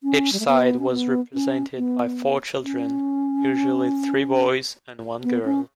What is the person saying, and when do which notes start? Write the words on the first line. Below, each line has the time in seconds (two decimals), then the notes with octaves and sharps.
Each side was represented by four children, usually three boys and one girl.
0.03 C#4
0.33 G3
0.40 A3
0.47 B3
0.79 C#4
0.90 B3
1.34 C#4
1.77 B3
2.64 C#4
5.23 B3
5.45 C#4